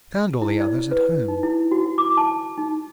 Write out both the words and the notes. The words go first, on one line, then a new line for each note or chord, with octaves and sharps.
I found all the others at home.
E4
D5
B4
D#4
E4
F#4
D6
A5
D#4